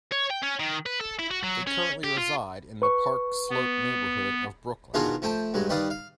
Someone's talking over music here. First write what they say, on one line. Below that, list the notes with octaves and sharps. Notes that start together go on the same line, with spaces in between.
They currently reside in the Park Slope neighborhood of Brooklyn.
C#5
G5
C#4
D#3
B4
A4
E4
F#4
F#3
C#4
G4
F4
B4 C#6
B3
B2 D#3 D4 F4 G#4 A#4
F3 A3 G5 A5
G2 F#3 G#3
D#3 G3 B4 D5 F5 D#6
F5